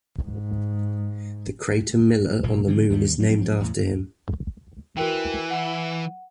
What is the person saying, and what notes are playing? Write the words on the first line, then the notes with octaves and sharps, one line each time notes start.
The crater Miller on the Moon is named after him.
G#2
F#1 A#2 A#3
D3 E3 F3 C4
D#2 D#3 F#3 G3
F3 F#3 A#3 C4
E2 A2
E3 F#4 A#4 G5
F#5